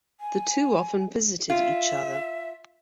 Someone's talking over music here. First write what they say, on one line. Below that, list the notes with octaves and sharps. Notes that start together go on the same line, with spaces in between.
The two often visited each other.
G#5
F4 E5